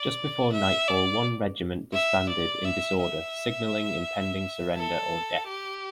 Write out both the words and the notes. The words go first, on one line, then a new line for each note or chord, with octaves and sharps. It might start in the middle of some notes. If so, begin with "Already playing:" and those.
Just before nightfall one regiment disbanded in disorder signalling impending surrender or death.
Already playing: D5
E5
D5
E5
D5
E5
E5
A4
G4